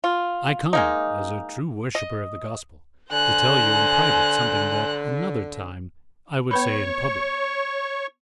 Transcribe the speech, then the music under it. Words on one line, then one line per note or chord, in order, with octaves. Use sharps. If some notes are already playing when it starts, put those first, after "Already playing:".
"I come, as a true worshipper of the Gospel, to tell you in private something that, another time, I would say in public."
F4
G#3 A#3 D#4
D#5
D3 C5 G#5 A#5 F#6
B3 B4 C#5 B5 C#6